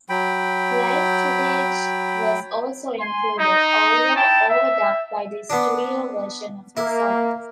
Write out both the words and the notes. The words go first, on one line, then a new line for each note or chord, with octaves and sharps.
Live footage was also included, although overdubbed by the studio version of the song.
F#3 G5 B5
G#5 C6
D#4
E4 G5 A5
E5
B3 D4
A#3 E4